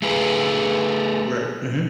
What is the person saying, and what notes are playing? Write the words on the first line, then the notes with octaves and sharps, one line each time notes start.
Right, mhm.
A3 G#4 B4